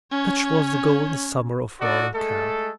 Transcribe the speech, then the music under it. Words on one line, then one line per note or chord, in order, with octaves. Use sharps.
Such was the golden summer of Roaring Camp.
C#4 C#5
D4 D#4 F#4 A4 D5
G#3 A3 A4